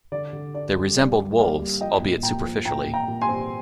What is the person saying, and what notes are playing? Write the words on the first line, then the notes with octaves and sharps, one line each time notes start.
They resembled wolves, albeit superficially.
D3 D5
D3
D4 D5
G3
G3 D5
G3
A#3 D5 F5
G3
F3 D#5 G5
A#2
A#2 G5 A#5
F3
A#2 G5 A#5
A#2
G5 A#5
A#2
G#5 C6
C4